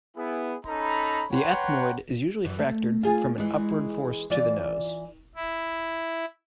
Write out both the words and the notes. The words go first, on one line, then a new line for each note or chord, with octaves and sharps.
The ethmoid is usually fractured from an upward force to the nose.
B3 E4 G#4
C#4 D#4 A4 A#5 B5
B4 C#5 F#5 G5 A#5 C6
F#2 E3
A3
F4 G#4
E3 G#3
E3 F4 D5
E4